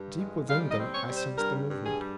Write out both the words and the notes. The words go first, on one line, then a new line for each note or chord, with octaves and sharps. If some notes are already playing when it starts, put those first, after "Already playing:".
Deep within them I sensed a movement.
Already playing: G2
G#3
G3 F5
D#5
C4
C#5
G3
C5
G2 A#4
G2
G#4
G3